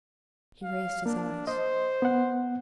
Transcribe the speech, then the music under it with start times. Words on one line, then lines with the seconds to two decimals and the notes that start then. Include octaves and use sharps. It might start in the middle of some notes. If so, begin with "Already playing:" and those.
He raised his eyes.
0.63 F5
1.06 A#3 D4
1.47 C5 D#5
2.02 B3 F#5